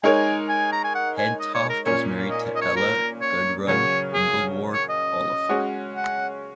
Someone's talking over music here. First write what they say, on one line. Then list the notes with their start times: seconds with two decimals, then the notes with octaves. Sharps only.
Hedtoft was married to Ella Gudrun Ingeborg Holleufer.
0.03 G#3 D#4 A#4 C#5 G#5
0.49 G#5
0.72 A#5
0.84 G#5
0.95 F#5
1.18 G#5
1.40 D#5
1.55 C#5
1.70 A#4
1.85 A#2 A#3 C#4 C#5
2.30 D#5
2.56 D#5
2.62 C#5
2.76 A#4
3.21 C#5
3.67 C#3 F#3 C#4 A#4 C#5
4.14 G#4
4.73 C#5
4.89 D#5
5.49 G#3 C#4 F#4
5.96 F#5